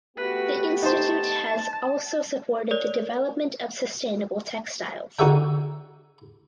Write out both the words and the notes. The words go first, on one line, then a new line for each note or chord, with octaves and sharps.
The institute has also supported the development of sustainable textiles.
A3 B3 F#4 G4 B4
D#4 C5 A5
A#4 C#5 D5
D3 D#4 F#4 G#4 E5 G5